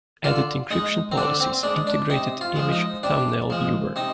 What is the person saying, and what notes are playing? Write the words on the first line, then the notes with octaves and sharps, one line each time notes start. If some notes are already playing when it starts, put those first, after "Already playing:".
Added encryption policies, integrated image thumbnail viewer.
D3 F4
G#3 D#4
C4
D3 D4
C4
G#3 D4
D4
C3 D#4
F4
F3 G#3
D#4
C3 D4
F3 G#3
C3 D#4